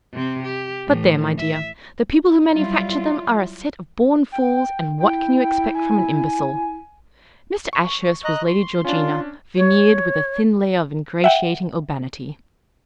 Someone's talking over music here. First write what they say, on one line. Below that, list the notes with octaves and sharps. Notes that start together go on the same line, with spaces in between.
But, there, my dear; the people who manufacture them are a set of born fools, and what can you expect from an imbecile?' Mr. Ashurst was Lady Georgina, veneered with a thin layer of ingratiating urbanity.
C3 C4
G4
A2 E3
E5
F#3 G3 E4 F4
G5
E4 G5
G#5
C#6
D#5 A#5 F#6
C6
C#4 D4 F4
C#5
E5 F#5 G5